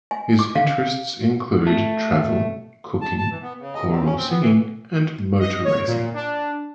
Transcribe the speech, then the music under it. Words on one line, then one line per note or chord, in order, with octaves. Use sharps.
His interests include travel, cooking, choral singing and motor racing.
G#5
D6
F5
A3
A5
A5
E3
B3
C#3
D#5
C3
C#4
C4
B3
E3
D#5
C#5
A#2
D4